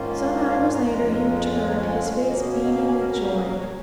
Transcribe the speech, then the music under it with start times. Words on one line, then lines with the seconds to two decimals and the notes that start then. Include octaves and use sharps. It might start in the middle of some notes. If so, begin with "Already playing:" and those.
Some hours later he returned, his face beaming with joy.
Already playing: G#2 D#3 A#3 C#4 F4
0.50 F5
0.62 G#5
0.74 A#5
0.86 F2 F3 G#3 C#4 F4 A#5
1.57 G#5
1.69 A#5
1.81 G#5
1.93 F#5
2.05 F5
2.17 F5
2.28 B2 A#3 C#4 D#5
2.40 D#5
2.52 C#5
2.64 D#5
2.76 F5
2.88 G#5
3.00 A#4
3.12 A#4
3.24 F#4
3.36 G#4
3.47 A#4
3.59 C#5